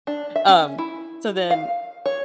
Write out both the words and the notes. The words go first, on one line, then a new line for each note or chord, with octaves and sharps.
Um, so, then,
D4
E5
C#4
E4
F5
C#5